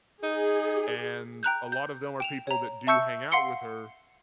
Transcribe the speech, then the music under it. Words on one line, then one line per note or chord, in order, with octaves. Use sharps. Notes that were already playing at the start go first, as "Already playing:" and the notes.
And a lot of them are people that do hang out with her.
D#4 G#4
G5 A#5 F#6 G6
G6
G5 E7 F7
C#5 A#5
E5 A5 C#6 E6 G6 C#7
F5 F#5 C6 C7 C#7 G7